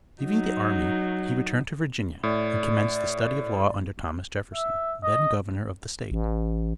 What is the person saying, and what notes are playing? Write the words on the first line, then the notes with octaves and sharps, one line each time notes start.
Leaving the army, he returned to Virginia and commenced the study of law under Thomas Jefferson, then Governor of the State.
F#3 D#4
A2 D5
E5
D#5
A1